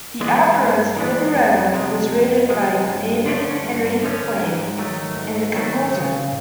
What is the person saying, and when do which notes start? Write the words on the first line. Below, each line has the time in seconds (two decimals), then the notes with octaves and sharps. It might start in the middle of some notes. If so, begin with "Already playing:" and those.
The opera's libretto was written by David Henry Hwang and the composer.
0.21 E3 G#3 B3 D4
0.58 G2
0.97 E3 G#3 B3 D4
1.34 F2
1.73 C3 F3 G#3
2.11 F2
2.49 C3 F3 G#3
2.88 G2
3.26 D3 F3 A3 C#4
3.64 G2
4.02 D3 F3 A3 C#4
4.41 G#2
4.78 D#3 F#3 A3
5.16 G#2
5.55 D#3 F#3 A3
5.92 C#3